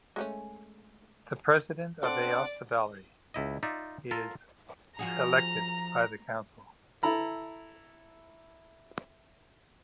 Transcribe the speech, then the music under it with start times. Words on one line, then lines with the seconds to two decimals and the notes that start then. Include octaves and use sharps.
The President of Aosta Valley is elected by the Council.
0.16 G#3 A3 C#4
2.03 C4 D4 A4 C5 D5 F#5
3.34 C#2 E4 D#5
3.63 D#4 F4 D5 E5
4.11 F4 A4 A#4 F5
4.99 F3 F#4 G#4 A#5
7.03 E4 A4 A#5 B5